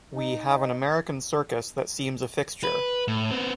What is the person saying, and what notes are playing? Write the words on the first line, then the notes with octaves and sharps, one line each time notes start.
We have an American circus that seems a fixture.
D#4
B4
A2
B3 C4